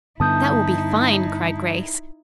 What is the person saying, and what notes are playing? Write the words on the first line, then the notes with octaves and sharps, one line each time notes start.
"That will be fine," cried Grace.
G2 D3 B3 D#4 E4 A5 D#6 G6